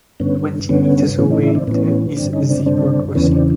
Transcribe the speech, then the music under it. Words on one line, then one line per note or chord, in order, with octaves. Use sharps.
Twenty meters away there is a zebra crossing.
G2 D3 B3 C#4
G2 D3 B3 C#4
A2 E3 B3 C#4
C#4 D#4
D4 E4
C4 D4
A2 E3 B3 C#4
G2 D3 C4 D4
C#4 D#4
C4 D4
G2 D3 C4 D4
E2 C#3 E3 B3 C#4
C4 D4